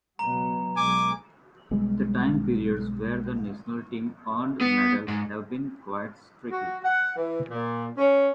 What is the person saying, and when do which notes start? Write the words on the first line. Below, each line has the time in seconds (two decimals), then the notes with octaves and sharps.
The time periods where the national team earned medals have been quite streaky.
0.19 C#2 B2 F#3 A#5
0.75 B1 G#3 G#5 D6
1.71 B1 G3 G#3
4.61 B3
5.08 G#2
6.49 F#4
6.83 F#5
7.15 E3
7.50 A#2
7.97 C#4